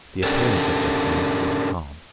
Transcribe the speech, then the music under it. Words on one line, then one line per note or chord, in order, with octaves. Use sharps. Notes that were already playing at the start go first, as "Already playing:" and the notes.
The appearance of Justine was calm.
C#4 D4 G4 A4 A#4